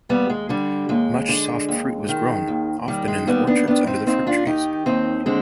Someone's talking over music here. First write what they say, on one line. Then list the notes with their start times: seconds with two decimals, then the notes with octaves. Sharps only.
Much soft fruit was grown, often in the orchards under the fruit trees.
0.09 D#2 G3 B3
0.30 G#3
0.49 D3 G3
0.89 D#2 G#3
1.29 D3
1.68 D#2
2.08 D#3
2.48 D#2
2.88 D#3 G3
3.08 G#3
3.27 D#2 G3 B3
3.47 B3 D4
3.67 D#3 B3 D4
3.87 C4 D#4
4.07 D#2 C4 D#4
4.27 D4 F4
4.46 D#3 D#4 G4
4.86 D#2 C4 D#4
5.26 D3 G#3 C4